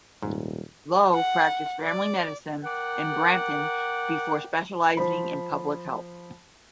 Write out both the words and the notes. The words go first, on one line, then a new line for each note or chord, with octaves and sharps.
Loh practiced family medicine in Brampton before specializing in public health.
D#1 G#2
F#5
D5
A#4 D5 F#5 G5
F3 C5 B5